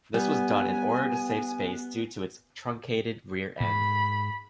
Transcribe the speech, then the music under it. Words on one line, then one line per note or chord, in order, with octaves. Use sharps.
This was done in order to save space due to its truncated rear end.
G3 B3 G#5
G#2 B5